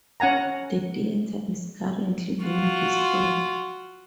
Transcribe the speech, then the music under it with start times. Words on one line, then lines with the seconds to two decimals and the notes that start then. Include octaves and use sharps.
The theater is currently being restored.
0.20 C#4 F#5 G#5 A#5
2.46 F4 F#4